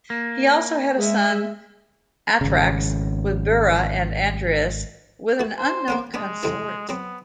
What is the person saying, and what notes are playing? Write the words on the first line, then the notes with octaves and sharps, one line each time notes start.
He also had a son Atrax with Bura, and Andreus with an unknown consort.
A#3
G#3 E5
G#1 C#3
A3 F#4
C5
A#3 C4 C#4
G#3 B3 D4
F2 C3 E3
F#3 B3 C4